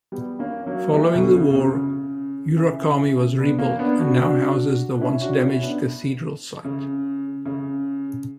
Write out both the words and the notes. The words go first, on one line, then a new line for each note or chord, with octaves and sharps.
Following the war, Urakami was rebuilt and now houses the once-damaged Cathedral site.
G3 B3
A#3 C#4
F#3 A#3
E3 G3
B2 D3
C#3
B2
C#3
C#3
C#3 E3
B3 D4
A#3 C#4
B3 D4
D4 F#4
D4 F#4
D4
C#4 E4
D4 F#4
C#4 E4
B3 D4
C#3
C#3